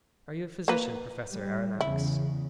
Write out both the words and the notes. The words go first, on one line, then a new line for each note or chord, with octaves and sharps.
"Are you a physician, Professor Aronnax?"
A#3 B4
G3
E2 C#3 E4